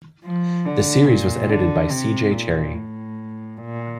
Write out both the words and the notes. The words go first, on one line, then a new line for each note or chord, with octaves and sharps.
The series was edited by C. J. Cherryh.
F3
D3
A#2
D3
C3
A#2
A2
A#2